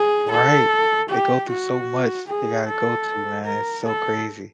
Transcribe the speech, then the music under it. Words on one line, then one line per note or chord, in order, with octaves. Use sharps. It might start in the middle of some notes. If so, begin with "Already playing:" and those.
Right, they go through so much they gotta go through, man, it's so crazy.
Already playing: G#4
A4
G4
F#4
G#4
A4
A#4
A4